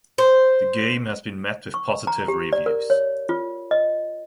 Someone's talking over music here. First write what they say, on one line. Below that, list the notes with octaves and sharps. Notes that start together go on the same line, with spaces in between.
The game has been met with positive reviews.
C5
C#6
A#5
G4
D5
A#4
C#5
F4
D#5